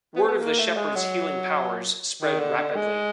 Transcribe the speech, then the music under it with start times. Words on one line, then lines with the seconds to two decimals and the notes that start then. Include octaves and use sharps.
Word of the shepherd's healing powers spread rapidly.
0.16 B3
0.22 C4
0.28 B3
0.41 A#3
0.59 A3
0.76 G#3
0.95 F#3
2.22 D#3
2.40 D3
2.58 D3
2.76 G#3